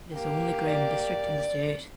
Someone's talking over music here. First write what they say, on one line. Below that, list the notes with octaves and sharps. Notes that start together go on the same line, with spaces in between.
It is the only Graham District in the state.
A#3 G4
D5